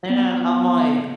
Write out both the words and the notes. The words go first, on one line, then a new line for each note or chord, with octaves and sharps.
And I'm, like
B3